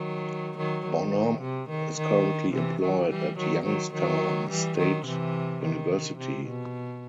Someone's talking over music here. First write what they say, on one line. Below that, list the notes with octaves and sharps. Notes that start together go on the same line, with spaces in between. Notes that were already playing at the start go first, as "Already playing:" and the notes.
Bonhomme is currently employed at Youngstown State University.
Already playing: D#3 F#3
D#3 F#3
D#3
C3
D#3
D#3
C3 E3
D#3 F#3
E3 G3
D#3 F#3
D#3 F#3
D#3 F#3
E3 G3
D#3 F#3
C3 E3
D#3
C3
B2